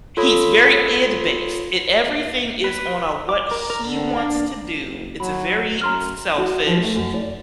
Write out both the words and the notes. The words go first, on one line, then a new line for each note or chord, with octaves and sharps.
He's very id based. It everything is on a what he wants to do. It's a very selfish.
F4 A4 C#5 B5 D#6
B4
D6
A#4
A#4
D3
D4
F#1
F#3 B5
F#2 A#5 C6 F6
F#4
F3
A3
F#2
D5